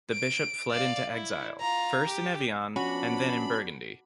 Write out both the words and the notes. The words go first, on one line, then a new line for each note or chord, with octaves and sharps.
The bishop fled into exile, first in Evian, and then in Burgundy.
D7
D5 F5
E4
F4 A#5
G4
F3 B3 C#4 D4 F#4 B5